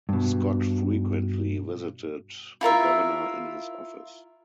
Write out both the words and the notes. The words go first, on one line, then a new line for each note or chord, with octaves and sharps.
Scott frequently visited the governor in his office.
G2 B2
E4 F4 A#4 E5